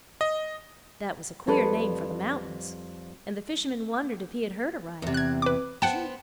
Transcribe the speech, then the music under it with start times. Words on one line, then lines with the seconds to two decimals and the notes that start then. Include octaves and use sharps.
That was a queer name for the mountains, and the fisherman wondered if he had heard aright--June.
0.21 D#5
1.47 F2 G3 A4 B4
5.02 E2 C3
5.14 F#6 G#6
5.42 B4 D6
5.82 B3 C5 F#5 G5 A5